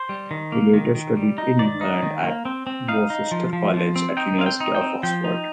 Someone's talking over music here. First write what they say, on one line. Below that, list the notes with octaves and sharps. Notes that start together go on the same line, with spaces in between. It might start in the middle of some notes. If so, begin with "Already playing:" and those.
He later studied in England at Worcester College at the University of Oxford.
Already playing: C5
G3
D#3
A#3
D#3
D#3
G3
D#4
D#3 D5
D#4
D#3
A#3
C4
C4
D#4 F5
D#4
F3
F3
F3
C4
D#4 G5
C4 F5
G5
D#4
G5
C4
F3 G5
D#4